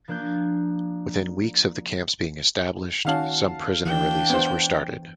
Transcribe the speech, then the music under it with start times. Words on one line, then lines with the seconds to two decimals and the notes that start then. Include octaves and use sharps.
Within weeks of the camps being established, some prisoner releases were started.
0.08 F3 A#3 D4 F#6 G6
3.05 D#3 C#4 F#4 F5 A5
3.85 E3 D4 G5
4.30 B3 C5